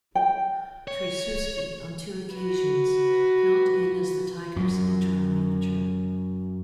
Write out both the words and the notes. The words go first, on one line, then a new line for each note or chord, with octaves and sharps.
Tracewski, on two occasions, filled in as the Tigers' interim manager.
G5
C#5
F#4 B4
F#2 F#3